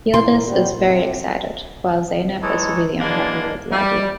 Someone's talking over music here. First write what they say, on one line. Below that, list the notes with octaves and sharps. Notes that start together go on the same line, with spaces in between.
Yildiz is very excited while Zeynep is really unhappy with the idea.
A#2 E3 A#3 C6
C2 G3 F#4
A2 C3
E3 G#3 D#4 E4 A4 C#5
E3 F#3 G#3 A#3 D4
G3